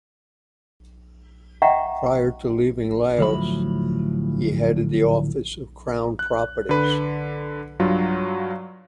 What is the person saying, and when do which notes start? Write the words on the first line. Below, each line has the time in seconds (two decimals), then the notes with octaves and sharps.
Prior to leaving Laos he headed the Office of Crown Properties.
1.62 D#5 E5 F#5 G5 A#5 C#6
3.18 D2 A2 F3 F#3 E5 B5
6.19 F#6
6.69 D3 B4
7.80 G2 F#3 F4